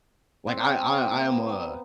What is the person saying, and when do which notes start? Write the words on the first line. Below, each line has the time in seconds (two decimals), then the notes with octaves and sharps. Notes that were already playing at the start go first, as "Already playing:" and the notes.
Like, I I I am a
0.47 C4
1.12 A#3
1.32 B3